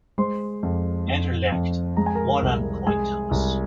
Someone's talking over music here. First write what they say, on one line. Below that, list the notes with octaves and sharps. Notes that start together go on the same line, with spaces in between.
Anderlecht won on coin toss.
G#3 C5 C6
F2
F2
F2
G#3 A#5
G#5
A#4 A#5
C2
G#3 G#4 G#5
C2